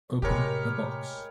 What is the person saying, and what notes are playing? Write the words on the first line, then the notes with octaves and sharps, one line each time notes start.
Open the box.
A2 C3 G#3 G4 A#4 B4 C#5